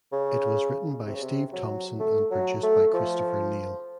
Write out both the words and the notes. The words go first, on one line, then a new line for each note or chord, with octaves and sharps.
It was written by Steve Thompson and produced by Christopher Neil.
C#3
C3
C#3
C3
F#3
A3
F#3
A3
F3